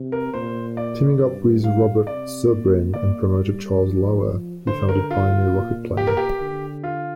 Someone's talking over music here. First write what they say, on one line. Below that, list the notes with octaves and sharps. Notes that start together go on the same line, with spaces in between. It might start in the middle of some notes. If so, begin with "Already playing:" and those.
Teaming up with Robert Zubrin and promoter Charles Lauer, he founded Pioneer Rocketplane.
Already playing: C3
A#4
A#2 C5
D5
G2
F5
C3 D5
A#3
A#3 D5
G3
F3
D3 C5
A#4
F4
A#2
G4
A#4
G4
D3
F4